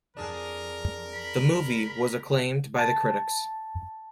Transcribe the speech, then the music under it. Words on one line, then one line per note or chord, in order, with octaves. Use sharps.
The movie was acclaimed by the critics.
F2 D4 G#4 A#4
B5
A5